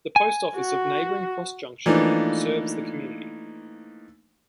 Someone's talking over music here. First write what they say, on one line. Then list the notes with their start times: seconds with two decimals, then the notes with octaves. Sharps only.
The post office of neighboring Cross Junction serves the community.
0.16 G#5
0.56 F#4
1.86 E3 F3 A3 A#3 D4 D#4